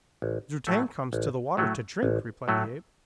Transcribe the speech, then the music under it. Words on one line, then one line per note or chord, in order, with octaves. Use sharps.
"Zu-tag comes to the water to drink," replied the ape.
A1
A2 F#3 A3
A1
A2 F#3 A3
A1
A2 F#3 A3